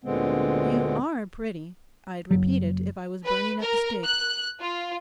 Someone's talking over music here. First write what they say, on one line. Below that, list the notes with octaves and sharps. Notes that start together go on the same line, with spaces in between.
You ARE pretty: I'd repeat it if I was burning at the stake.'
D2 A#2 D3 G#3 B3 C4
F#1 C#2 F#3
B4
A#4
F#6
F4